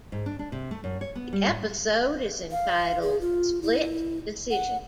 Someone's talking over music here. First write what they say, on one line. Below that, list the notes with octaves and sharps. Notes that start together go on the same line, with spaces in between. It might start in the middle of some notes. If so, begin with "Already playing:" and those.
The episode is entitled "Split Decision".
G#2
D4
D4
C3
A3
F#2
C#5
B3
G3
A2
F5
G#4
F4
E4
F#5